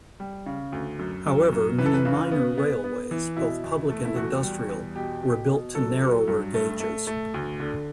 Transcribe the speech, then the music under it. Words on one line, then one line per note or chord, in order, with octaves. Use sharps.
However many minor railways, both public and industrial, were built to narrower gauges.
G3
C#3
D2
F#2
F#2
F#2
E3 B4
A4
B4
C#3
B3
B3
B3
E3
B2 E4
E2
A3
E4
E2 F#4
G3
E2
B2 G4
B2
B2
F#3 A4
F#3
G2
A3
A3
A3
D2
D3